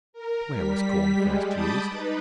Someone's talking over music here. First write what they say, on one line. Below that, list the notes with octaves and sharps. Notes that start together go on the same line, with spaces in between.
Where was Corn first used?
A#4
G3 B6
G3 G#3
A5 B5 D6 D#6 G6 A6
D#4 B4